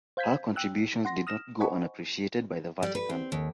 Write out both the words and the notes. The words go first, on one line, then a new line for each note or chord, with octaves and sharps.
Her contributions did not go unappreciated by the Vatican.
C5 F5 G6 G#6 B6
G5 E6 F#6
F#5 C6 A#6
D#6 F6 A#6 E7
C5 D#5 F#5 G#5 B5 C#6
G3
B4
C4
D#2